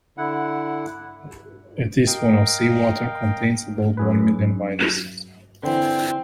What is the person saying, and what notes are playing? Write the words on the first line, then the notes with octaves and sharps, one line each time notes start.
A teaspoon of seawater contains about one million viruses.
D3 E4 F#5
A#4 D#5 F5 G5
F#2 G#4 B4
D3 E3 C4